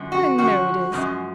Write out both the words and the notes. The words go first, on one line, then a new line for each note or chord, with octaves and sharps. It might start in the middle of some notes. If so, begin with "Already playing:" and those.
But I know it is.
Already playing: F#2 D3 F3
F#4
F#2 D3 F3 F#4
F#2 C#3 F3 G#3